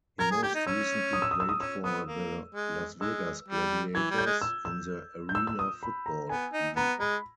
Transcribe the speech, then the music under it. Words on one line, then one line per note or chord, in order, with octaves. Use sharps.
He most recently played for the Las Vegas Gladiators in the Arena Football League.
A#4 G#6
G#4
G4 G6
D#4
C#4 E6
D#6
E6
D#6
E6
D#6
C#4 E6
B3 D#6
A#3
G#3
G#3 E6
G3
E3 G#6
G3
G6
G#3
E6
E6
G6
E6
E6
D#6
B5
A#5
B3 G#5
D#4
B3 A#5
G#3 B5